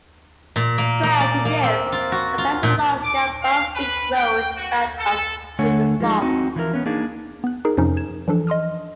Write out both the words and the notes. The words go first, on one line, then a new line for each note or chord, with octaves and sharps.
Prior to this, companies along Scarborough Beach Road backed on to the swamp.
A#2
A#3
A#3
D5
A#3
C4
F4
F#4
F4
A#2
D6
F5
B4
G5
F#4
A4
D3 A3 C#5 F#5 G#5
F3 G#3 D#4
C4 D#4 F#4
E3 F3 E4 A4 A#4
B3 C#4
A#3 D4 D#4 G#4 D5
B3 F#6
D#4 G#4 A#4
F2 C3 F3 C#4 D#4
G#6 E7
E3 F3 D4 A4
D#5 C6 D#6 F6